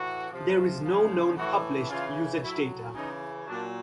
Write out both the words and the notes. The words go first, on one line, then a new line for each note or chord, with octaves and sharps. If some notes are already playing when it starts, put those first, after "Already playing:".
There is no known published usage data.
Already playing: A2 E3 F#4
C3 F3
C#3 F3
A2 E3 F#4
C#3 E3 F4
A2 F#3 E4
C#3 E3 D#4
A#2 F#3 D4